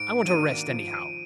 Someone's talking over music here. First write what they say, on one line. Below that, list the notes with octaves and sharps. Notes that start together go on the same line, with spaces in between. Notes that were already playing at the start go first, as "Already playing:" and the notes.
"I want a rest anyhow...."
Already playing: G#2 D7
D#3 A#3 D4 F#4 D#7
F3